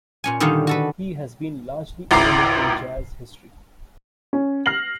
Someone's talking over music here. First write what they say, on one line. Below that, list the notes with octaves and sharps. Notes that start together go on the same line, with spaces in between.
He has been largely overlooked in jazz history.
A#2 C#4 G#5
D3 D#3 G3 C#4 D#4 F5
F#4 A4 B4
G#1 C#2 E4 A#5 D6 C7
C#4
F6 A#6 C7 F#7